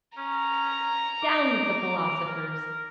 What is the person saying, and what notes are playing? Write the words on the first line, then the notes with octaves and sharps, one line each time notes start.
Down with the philosophers!
C#4 A#5
D6
A#4